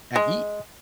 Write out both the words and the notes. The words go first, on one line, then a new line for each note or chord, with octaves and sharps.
and eat,
G#3